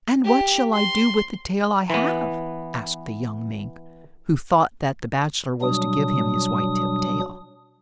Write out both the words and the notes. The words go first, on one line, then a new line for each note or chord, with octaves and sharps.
"And what shall I do with the tail I have?" asked the young Mink, who thought that the Bachelor was to give him his white-tipped tail.
G4
C6
E3 B3
B2 F#3 G3 D4 D#6